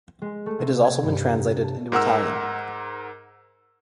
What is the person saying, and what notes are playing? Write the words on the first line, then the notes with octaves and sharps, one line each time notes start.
It has also been translated into Italian.
G#3
A3
C3
G#6
G2
A#5
A5
G#2 A#4 F#5 E6